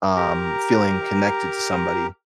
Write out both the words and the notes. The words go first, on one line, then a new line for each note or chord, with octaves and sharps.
um, feeling connected to somebody.
G4 A#4 A#5